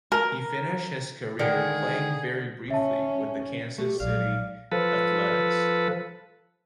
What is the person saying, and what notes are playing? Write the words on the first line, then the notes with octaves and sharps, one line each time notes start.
He finished his career playing very briefly with the Kansas City Athletics.
A#4
D3 D#3 G#3 G#4 A#4 G5
C#4 E5 A5
A3 G4
A#1 F#3 D5 F5
F3 A4 B4